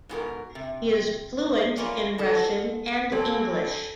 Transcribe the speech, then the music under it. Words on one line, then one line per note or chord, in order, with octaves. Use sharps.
He is fluent in Russian and English.
G#2 B2 G4 A#4
C3
G3 A#3 C#4 F4 D5
G#2 A4
D2 C4 A4